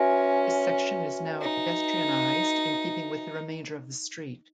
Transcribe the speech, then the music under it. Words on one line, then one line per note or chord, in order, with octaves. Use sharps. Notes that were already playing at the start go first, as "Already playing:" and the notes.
This section is now pedestrianised in keeping with the remainder of the street.
Already playing: C#4 F#4 B4 E5 G#5
D#4